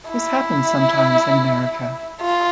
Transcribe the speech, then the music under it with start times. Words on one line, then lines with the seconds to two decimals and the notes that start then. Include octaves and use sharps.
This happens sometimes in America.
0.10 E4
2.21 F4